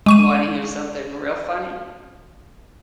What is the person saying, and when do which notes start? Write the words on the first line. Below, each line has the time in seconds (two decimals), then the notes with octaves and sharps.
You wanna hear something real funny?
0.06 G#3 C#6 D#7